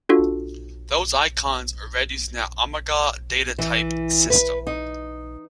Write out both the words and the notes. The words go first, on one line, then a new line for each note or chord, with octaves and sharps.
Those icons are read using Amiga DataType system.
D4 F4 F#4 A4
E3
B4
D#4